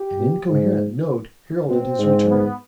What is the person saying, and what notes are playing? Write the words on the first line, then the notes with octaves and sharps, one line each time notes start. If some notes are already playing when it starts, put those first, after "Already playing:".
An incoherent note heralded his return.
Already playing: G4
B2
G#2
B2 C4
G#2
B3